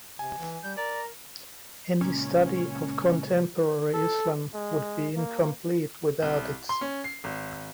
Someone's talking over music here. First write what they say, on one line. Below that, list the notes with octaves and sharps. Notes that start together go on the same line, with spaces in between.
Any study of contemporary Islam would be incomplete without it.
C3 G#5
E3
G3 G6
A#4 D5 A#5
C#2 A#2 C#4
A4
G#3
A#3
C2
C6
C#4
C7
G#1